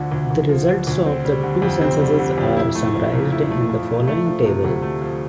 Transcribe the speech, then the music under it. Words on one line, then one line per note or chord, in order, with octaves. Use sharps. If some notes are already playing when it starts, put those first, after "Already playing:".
The results of the two censuses are summarized in the following table.
Already playing: D2 D3 F3
D2
D2
F3
D3
D2
C4
G3
D3
F2
C4
G3
D3
F2
E4
A3
F3
A#2
E4
A3
F3
A#2
A3
F3
C3
D2
A3
F3